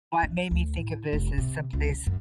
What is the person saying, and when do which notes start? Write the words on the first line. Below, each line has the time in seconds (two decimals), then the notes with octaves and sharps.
what made me think of this is some place
0.23 D4
0.51 D2
0.76 A2
1.13 F1
1.38 C3
1.73 C#2
1.92 C#3
2.06 F#2